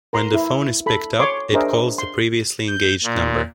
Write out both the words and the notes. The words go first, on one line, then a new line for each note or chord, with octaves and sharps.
When the phone is picked up, it calls the previously engaged number.
A#4 A#5 C6
E4
A4 B5
C#5 C6 D6
D4 G#4 A#4 C5 D#5 E5
C6
G6
A#2